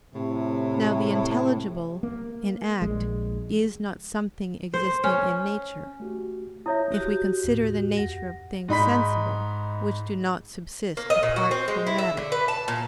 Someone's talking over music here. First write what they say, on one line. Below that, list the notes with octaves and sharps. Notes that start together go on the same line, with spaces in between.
Now the intelligible in act is not something existing in nature; if we consider the nature of things sensible, which do not subsist apart from matter.
A2 C3
A#3
A#1 G#3
C5
C#4
A3 F#4 G4
E4 C#5 E5 D#6 G6 A#6
F#4 G4
D#2 A2
F2 F#5 A#6
G#2 D#4 B5 B6
A#3
D#5
A#2
F#4
C4
G#3
E4
E5
D3
B4
A5
A#2